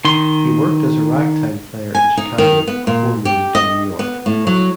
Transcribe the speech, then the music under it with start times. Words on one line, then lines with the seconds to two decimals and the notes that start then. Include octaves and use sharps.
He worked as a ragtime player in Chicago before moving to New York.
0.05 D#3 C6
1.95 G#5
2.17 D#4
2.38 D#3
2.67 B3
2.87 A#2
3.25 G4
3.55 D#5
3.99 B3
4.26 A2
4.47 F#3